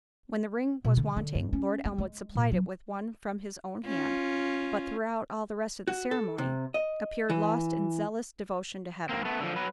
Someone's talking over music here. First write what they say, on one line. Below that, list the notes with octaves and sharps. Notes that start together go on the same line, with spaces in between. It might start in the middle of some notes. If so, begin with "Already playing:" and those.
When the ring was wanting, Lord Elmwood supplied it with one from his own hand, but throughout all the rest of the ceremony, appeared lost in zealous devotion to Heaven.
B2
D3
D3
G2
C#4
B3
G#3
A#2
F#3
C#4 F4
F#4
A4
C3
D#5
E3
A#3 C4
A3 B3
D3 F3
F#3 B4